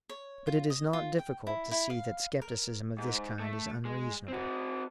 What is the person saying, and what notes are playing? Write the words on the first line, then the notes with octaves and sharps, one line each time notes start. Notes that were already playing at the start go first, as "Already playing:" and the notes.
But it is not difficult to see that scepticism of this kind is unreasonable.
C#5
F4
D#5
F4
G5
E4
E4
F5
A#4
G#2
A3
G#3
C4 F#4